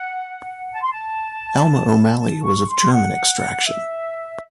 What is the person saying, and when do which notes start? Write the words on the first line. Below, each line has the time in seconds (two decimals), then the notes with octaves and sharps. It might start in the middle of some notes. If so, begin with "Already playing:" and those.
Alma O'Malley was of German extraction.
Already playing: F#5
0.72 A5
0.82 C6
0.91 A5
2.19 A5
2.44 C#6
2.68 C6
2.92 F#5
3.65 E5